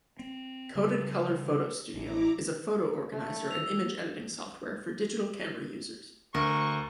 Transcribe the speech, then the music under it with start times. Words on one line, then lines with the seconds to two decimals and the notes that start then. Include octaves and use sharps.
CodedColor PhotoStudio is a photo organizer and image editing software for digital camera users.
0.19 C4
0.75 C#3 G3
1.94 A1 E4 A#5 D6
3.12 A3
3.48 E6 F7
6.35 D2 A#4 C#6